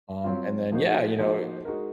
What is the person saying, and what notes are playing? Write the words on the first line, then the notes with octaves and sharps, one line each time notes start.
Um, and then yeah, you know,
F#3 C4 F4
F3 A#3 D#4 F#4 C5
F3 A#3 D#4 F#4 C5
G#3 D#4 F#4 A#4